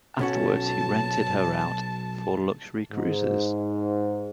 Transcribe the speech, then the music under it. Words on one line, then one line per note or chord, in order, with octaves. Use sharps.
Afterwards he rented her out for luxury cruises.
B1 C#4 F#4 A5
G#2